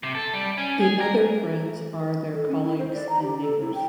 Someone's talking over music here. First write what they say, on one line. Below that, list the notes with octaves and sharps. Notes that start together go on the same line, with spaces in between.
The other friends are their colleagues and neighbours.
C3
A4
G3
C#4
G#4
A#4
A4
C#4
E4
C5
D5
A#5
G4
A4
E4
G5